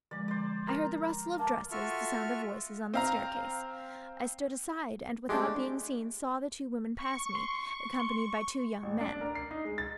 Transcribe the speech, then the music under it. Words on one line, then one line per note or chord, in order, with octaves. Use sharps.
I heard the rustle of dresses, the sound of voices, on the staircase. I stood aside, and, without being seen, saw the two women pass me, accompanied by two young men.
D3 F3 G#3 D5
C5 D5
A#4 A#5
A#3 A5
F4 F#4 A4 E5 C#6 F6
C4 F5 A#5
G#3 A3 D4 G4
C#6
C6
C6
A1
D4
A#4
C7
D#4
G#3
A6